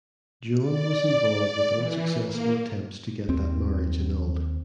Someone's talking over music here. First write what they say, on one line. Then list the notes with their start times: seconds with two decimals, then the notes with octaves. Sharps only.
Joan was involved with unsuccessful attempts to get that marriage annulled.
0.61 D5
1.76 E3
2.24 A#3
3.29 D#2 C4